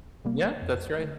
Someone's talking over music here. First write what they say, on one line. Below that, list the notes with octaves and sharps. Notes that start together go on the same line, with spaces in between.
Yeah, that's right.
C3 G3 A#3
F2
D3 A3